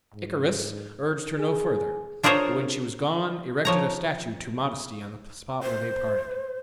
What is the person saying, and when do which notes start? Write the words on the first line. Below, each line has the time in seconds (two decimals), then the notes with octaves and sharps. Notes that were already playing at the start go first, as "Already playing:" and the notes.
Icarius urged her no further, but when she was gone erected a statue to Modesty on the spot where they parted.
0.15 G#2
1.38 G#4
2.23 D4 F4 G#4 A#4 C5 C#5
3.65 F3 C#5 A#5
5.63 C5